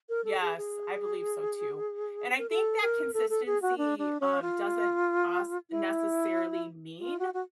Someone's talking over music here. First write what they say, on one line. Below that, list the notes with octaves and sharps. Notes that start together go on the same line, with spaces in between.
Yes, I believe so too. And I think that consistency, um, doesn't, us, necessarily mean
A#4
A4
G#4
G#4
A#4
A4
A#4
A4
A4
G#4
F#4
D4
D4
C#4
F4
E4
F4
F#4
F#4